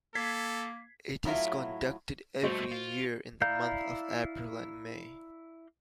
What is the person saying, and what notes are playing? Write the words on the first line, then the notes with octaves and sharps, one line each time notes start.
It is conducted every year in the month of April and May.
A#3 A4 G#6 B6 C7
A2 F#3 E4 F4
G2 A3 F#4 C5 D#5
F4
E4 D5 F5 A#5 G6